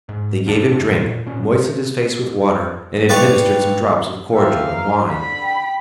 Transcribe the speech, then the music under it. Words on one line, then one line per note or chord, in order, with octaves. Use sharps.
They gave him drink, moistened his face with water, and administered some drops of cordial and wine.
G#2
B1 E2 F#3 D4
F#2 C#3
A#2
A#2 C#4
B4 D5 F5 G5 C#6
G4 A4 E5 F5
A#4
D3 B5
G5